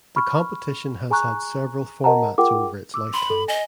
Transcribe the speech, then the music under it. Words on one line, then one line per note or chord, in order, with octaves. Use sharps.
The competition has had several formats over its lifetime.
B5 C#6 F6
G#4 G#5 A#5 C#6 F#6
A#4 D#5 F#5 A5 A#5
F4 G#4 A#4 F#5 G5 D6
D6 E6
B5 C6
A4
D#5 G#5